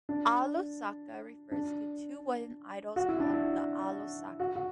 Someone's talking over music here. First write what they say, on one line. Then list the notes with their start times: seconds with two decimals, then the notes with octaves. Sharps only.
Alosaka refers to two wooden idols called the Alosaka.
0.09 D4
1.52 D4
2.96 F#4
3.09 E4
3.20 D4
3.34 E4
4.40 F#4
4.56 F#4